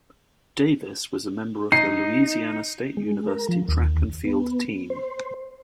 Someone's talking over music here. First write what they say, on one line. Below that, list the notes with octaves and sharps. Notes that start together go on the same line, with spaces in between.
Davis was a member of the Louisiana State University track and field team.
D#4 C7
G#3
A#4
F3
D#2
B3
C5